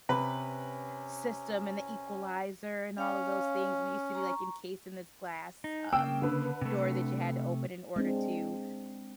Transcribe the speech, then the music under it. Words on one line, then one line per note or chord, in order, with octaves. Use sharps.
system and the equalizer and all of those things, and it used to be, like, encased in this glass, um, door that you had to open in order to
C3 C#4 B4
C#4 C#5 F5
A#5 C#6
D#4
C#3 A#3 G5 E6
D3 B4
C3 A3
G#3 C4 D4